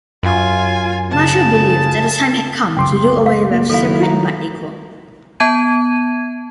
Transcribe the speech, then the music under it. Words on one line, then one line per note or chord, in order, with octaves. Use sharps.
Marshall believed that the time had come to do away with "separate but equal".
F#2 F4 G#5
C#3 A5
C2 F#2 C#3 G5 C6 D6
F5
A#3
D#3 F#3 E4 A4 F5
A#5
B3 A5 G#6 D#7